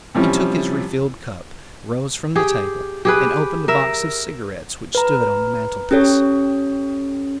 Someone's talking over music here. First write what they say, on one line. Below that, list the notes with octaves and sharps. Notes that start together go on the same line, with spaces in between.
He took his refilled cup, rose from the table, and opened a box of cigarettes which stood on the mantelpiece.
C3 E3 F3 G3 C#4
G4 G#4
G4 G#4 B4
A#4 E5
B4 A#5
C#4 G4 A4 C#5